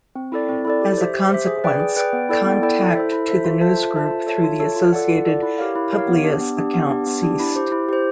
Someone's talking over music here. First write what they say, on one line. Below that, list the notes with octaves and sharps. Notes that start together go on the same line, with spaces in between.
As a consequence, contact to the newsgroup through the associated Publius account ceased.
C4
E4 A4 D5
C4
E4 A4 D5
G4
C5 E5
G4
C5 E5
G#4
B4 D5 G5
G#4
B4 D5 G5
B3
E4 A4 D5 G5
B3
E4 A4 D5 G5
E4
A4 C5 E5
E4
A4 C5 E5
F4
A4 C5 E5 A5
F4
A4 C5 E5 A5
F4
A4 C#5 E5 A5
F4
A4 C#5 E5 A5
F4
A4 D5 F#5
F4
A4 D5 F#5
E4
G4 A#4 C#5 F5
E4
G4 A#4 C#5 F5
B3
D4 G4
B3
D4 G4
B3
D4 G4
B3
D4 G4
E4
G4 C5
E4
G4 C5